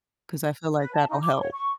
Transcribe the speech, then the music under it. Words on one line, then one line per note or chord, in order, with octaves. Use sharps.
'Cause I feel like that'll help.
B4
A5
D#4
D6
C#5
C#6